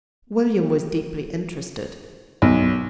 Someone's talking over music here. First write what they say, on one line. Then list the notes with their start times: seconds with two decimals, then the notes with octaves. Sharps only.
William was deeply interested.
2.42 B1